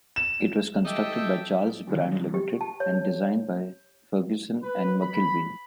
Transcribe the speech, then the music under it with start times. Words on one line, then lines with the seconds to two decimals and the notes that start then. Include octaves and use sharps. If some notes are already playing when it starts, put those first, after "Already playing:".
It was constructed by Charles Brand Ltd and designed by Ferguson and McIlveen.
0.16 E7
0.86 G4 A4 D#5 E5 G5
2.34 G4
2.61 A5
2.80 C#5
4.63 B4
5.01 B5